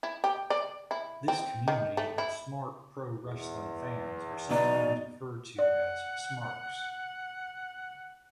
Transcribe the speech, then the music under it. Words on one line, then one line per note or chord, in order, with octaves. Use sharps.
This community of "smart" pro-wrestling fans are sometimes referred to as "smarks".
E4
G4
D5
E4
C4
D#3
A3
E4
E2
B2 D#4 D5
D5 F#5